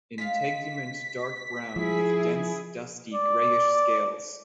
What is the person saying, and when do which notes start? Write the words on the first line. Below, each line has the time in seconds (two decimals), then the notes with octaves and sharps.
Integument dark brown with dense dusty greyish scales.
0.18 G#3 F4 F5 B6
1.76 F3 E4 G#4
3.14 D5